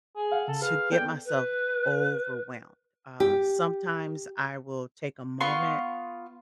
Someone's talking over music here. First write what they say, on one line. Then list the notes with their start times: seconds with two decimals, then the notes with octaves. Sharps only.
to get myself overwhelmed. Uh, sometimes I will take a moment,
0.16 G#4
0.32 F5 F#5
0.48 C#3 A4
0.62 G#4 B4 F5
0.92 B3 A4 D5 G5
1.25 B4
3.20 G4
5.40 B3 F4 C6 C#6